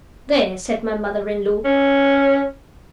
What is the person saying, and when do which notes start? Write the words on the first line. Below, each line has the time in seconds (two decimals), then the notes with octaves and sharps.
"There!" said my mother-in-law.
1.65 C#4